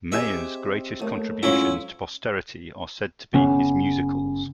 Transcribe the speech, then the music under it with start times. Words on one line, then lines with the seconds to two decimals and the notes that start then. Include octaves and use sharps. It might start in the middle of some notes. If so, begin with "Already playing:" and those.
Mayer's greatest contributions to posterity are said to be his musicals.
0.12 C4 G4 G#4 D#5 E5
0.99 D#2 A3
1.43 G#2 F#3 G#3 C#4 E4 F4 C#5
3.33 F#1 C#3 B3 C#4